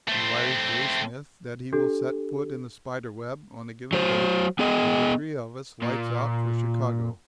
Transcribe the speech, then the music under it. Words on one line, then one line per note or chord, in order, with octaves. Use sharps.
He wires J. Smith that he will set foot in the spider web on a given date; and the three of us lights out for Chicago.
A3 C4
D4 G4 A4
F#3 C5
B3 G#4 D#5
A#2